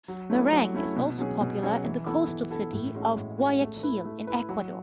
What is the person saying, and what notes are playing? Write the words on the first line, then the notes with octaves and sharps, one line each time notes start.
Merengue is also popular in the coastal city of Guayaquil in Ecuador.
F#3
A3 C#4 E4
F#3
A3 C#4 E4
B2
F#3 C#4 G#4
B2
F#3 C#4 G#4
E3
B3 E4 A4
E3
B3 E4 A4
A2
G#3 C#4 F#4
A2
G#3 C#4 F#4
A3
E4 B4
A3
E4 B4
F#3